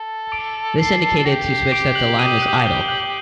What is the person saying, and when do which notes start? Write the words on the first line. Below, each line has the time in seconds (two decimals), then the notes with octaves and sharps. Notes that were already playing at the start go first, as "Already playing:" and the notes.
This indicated to switch that the line was idle.
Already playing: A4
0.32 D6 D7
0.79 C7
1.17 A4
1.25 G4 A#6
1.49 C7
1.72 D6 D7
1.95 F#6 F#7
2.19 D#6 D#7
2.41 F#6 F#7
2.65 G6 G7
2.88 F#6 F#7